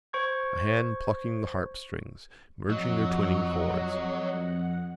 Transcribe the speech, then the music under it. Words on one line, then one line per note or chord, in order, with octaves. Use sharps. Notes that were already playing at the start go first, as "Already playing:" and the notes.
A hand plucking the harpstrings, merging their twining chords.
C5 C#6 G#6
F2 F#3 D#5 F#5